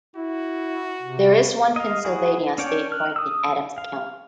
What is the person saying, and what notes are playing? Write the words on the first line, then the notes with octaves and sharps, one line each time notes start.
There is one Pennsylvania state park in Adams County.
E4 F#4
C3
D#5 F5
E4 F#4 G#4
C#4 D4 C#5 D5 G5
F6 F#6
D#6 E6
F5